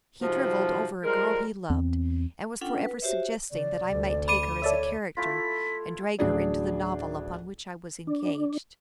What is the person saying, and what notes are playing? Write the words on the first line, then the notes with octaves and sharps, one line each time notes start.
He drivelled over a girl he loved, and was forever suggesting that I might take her as a character and drag her into the novel upon which I was engaged.
G#2 C3 F3 F#4 A5
F3 G3 G#3 A#4
E2 C4
C#4 D4 F4 A4 F#5 G5
B4
F#4 G4 C5 C#5 E5
C#3 D5
F1 D2
B5 D6 D#7
A4 C#5 D5 E5
A3 E4 F4 A4 B6
A1 D2 F#3 D4 G#4 D5
D4